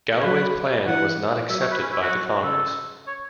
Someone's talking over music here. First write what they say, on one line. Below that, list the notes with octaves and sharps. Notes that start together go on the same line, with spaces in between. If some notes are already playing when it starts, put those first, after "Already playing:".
Galloway's plan was not accepted by the Congress.
C#5
F#3 B4
E3 F#5
F#3 E5
C#5
B4
C#4
E4
F#4
F#3
C#3 A4
C#5